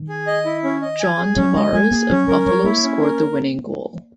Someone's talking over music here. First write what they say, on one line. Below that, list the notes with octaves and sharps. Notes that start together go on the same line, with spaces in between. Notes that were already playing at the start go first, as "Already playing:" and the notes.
John Tavares of Buffalo scored the winning goal.
Already playing: D#3
G#4
D#5
E4
C#4
D#5
G#5
G#4
F#3 C#4
G#3 D#5
G#3 G#5
A#3 G#4
F#3 C#4
F#3 A#4
F#3 C#5
A#3 E4
C#4
A#4